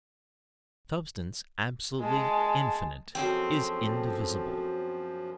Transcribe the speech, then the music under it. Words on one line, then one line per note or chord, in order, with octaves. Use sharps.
Substance absolutely infinite is indivisible.
G#3 A5
F#2 B2 F3 F#3 C4 G#4 A4